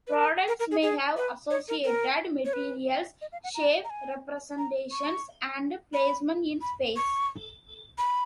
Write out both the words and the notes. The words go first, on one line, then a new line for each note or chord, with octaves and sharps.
Products may have associated materials, shape representations, and placement in space.
B4
A#4
A#4
A#4
G#4
G#4
B4
C#5
A#4
A#4
C#5
B4
D#5
F5
F#5
A#5
A#5
G#5
A#5
C#6
B5
B5
C#6
B5